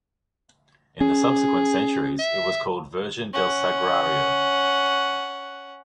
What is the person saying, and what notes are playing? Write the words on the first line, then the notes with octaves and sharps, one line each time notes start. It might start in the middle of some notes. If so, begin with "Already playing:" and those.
In the subsequent centuries, it was called Virgen del Sagrario.
C#4 G#4
E5
C#4 F#5